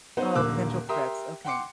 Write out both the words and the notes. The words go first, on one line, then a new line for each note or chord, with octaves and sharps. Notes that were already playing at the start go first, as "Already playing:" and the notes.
Oh, potential threats okay.
B3 D#4 C5 F#5
D#1 D3 A#3 D6 E6 F#6
G4 A#4 E5 G5 C6 D#6
F#5 G5 C6 D6 C#7